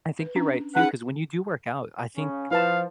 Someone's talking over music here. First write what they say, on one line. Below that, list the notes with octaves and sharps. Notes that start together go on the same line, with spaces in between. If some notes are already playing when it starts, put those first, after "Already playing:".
I think you're right too, cause when you do work out, I think,
B4
C#4 D4
C#4 D#4 G#4 B4 F#5
C#3 C#4
F3 E4 B4 F5 A5